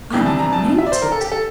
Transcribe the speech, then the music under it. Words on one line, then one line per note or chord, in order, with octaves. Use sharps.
I never meant it!
E2 C3 E3 G3 D4 G5
A5
A#5
A5
E5
D5
C5
A#4
A4
G4
A4